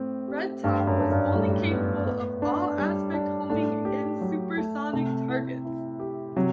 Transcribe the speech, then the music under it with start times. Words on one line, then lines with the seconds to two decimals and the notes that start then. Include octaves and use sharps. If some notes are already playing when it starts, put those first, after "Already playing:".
Red Top was only capable of all aspect homing against super-sonic targets.
Already playing: A2 C4
0.28 G4
0.63 G2 A3
0.87 F#2
0.99 D4
1.11 G2
1.35 A2 G3
1.71 B3
2.06 B3
2.42 D4
2.78 G3
3.14 D4
3.50 A2 D4
3.85 G4
4.21 F#3
4.57 A3
4.93 C3 A3
5.28 E4
5.65 E4
6.00 G4
6.36 C3 F#3